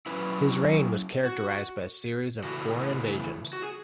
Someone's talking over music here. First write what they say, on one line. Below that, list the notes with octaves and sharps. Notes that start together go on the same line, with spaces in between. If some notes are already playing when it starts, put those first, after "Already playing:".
His reign was characterised by a series of foreign invasions.
F#3 C#4 E4 B4
F#4
C#3 E3 A3 E4 F#4
F#4
G#4